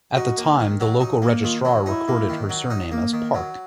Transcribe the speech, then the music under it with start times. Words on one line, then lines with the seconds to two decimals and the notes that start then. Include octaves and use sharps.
At the time the local registrar recorded her surname as Parke.
0.16 D#4 F#4
0.37 A#3
0.59 D#3
0.80 F#3
1.01 D#4 F#4
1.22 A#3
1.43 D#3 F4
1.65 F#3
1.86 D#4 E4
2.08 A#3
2.29 D#3
2.49 F#3
2.70 D#4
2.92 A#3
3.13 D#3
3.34 F#3